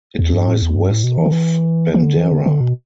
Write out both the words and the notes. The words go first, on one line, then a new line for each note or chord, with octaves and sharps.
It lies west of Bandera.
E2
G2
A2
E2
G2
A2
B2
E3
D3
E3
E3
D3
E3
D3
D3
B2